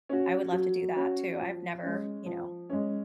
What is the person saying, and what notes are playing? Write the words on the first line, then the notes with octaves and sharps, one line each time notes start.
I would love to do that too. I've never, you know
C#4 F#4
F#3
C#4 F#4
F3
G#3 C#4
F3
G#3 C#4